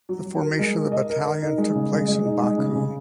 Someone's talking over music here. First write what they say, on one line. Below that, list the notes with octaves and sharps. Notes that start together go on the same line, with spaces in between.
The formation of the battalion took place in Baku.
F#3
F#3
A#4
G#3
A#4
D#5
A#4
A#4
D#4
G#3
C#3
G#3
G#3
D#4
G#3
C#3
C#3